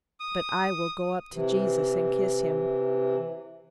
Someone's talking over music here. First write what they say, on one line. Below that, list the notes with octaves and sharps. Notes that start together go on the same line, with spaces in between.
But I will go up to Jesus and kiss him.
D#6
C3 E3